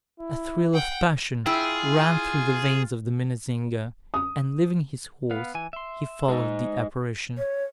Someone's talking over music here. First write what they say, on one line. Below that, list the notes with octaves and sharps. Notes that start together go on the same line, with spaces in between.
A thrill of passion ran through the veins of the minnesinger; and, leaving his horse, he followed the apparition.
E4
F#5 G5
E4 F4 G#4 G5
D#6
B3 B4 F5
E3 G#5
E5 C6
G#3 D#4
C#5